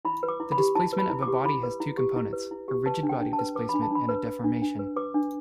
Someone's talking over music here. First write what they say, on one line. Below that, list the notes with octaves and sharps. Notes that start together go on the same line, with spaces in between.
The displacement of a body has two components: a rigid-body displacement and a deformation.
E4 B5
B4
D6
E4
B5
G4
E4 A5
B4
B5
E4
D6
G4
E4 B5
B4
E4
G4
E4
B4
E4
G4
B4 A5
D4
G5
D4
A5
B4
B4 D6
D4 B5
A5
D4 B5
B4
B4
D4
D4
B4
B4 D6
D4